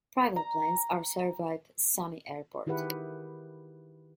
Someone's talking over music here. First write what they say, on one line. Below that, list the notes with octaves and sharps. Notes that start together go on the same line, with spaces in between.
Private planes are served by Sumy Airport.
A#5
D#3 E4 G4 G#4 B4 F#5